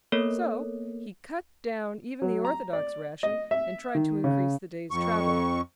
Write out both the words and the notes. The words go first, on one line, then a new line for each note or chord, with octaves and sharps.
So he cut down even the orthodox ration and tried to increase the day's travel.
A#3 B3 A4 A#4 C#5
F#3
A#5
D5
D#5
E5
D#3
C#3
F2 C#6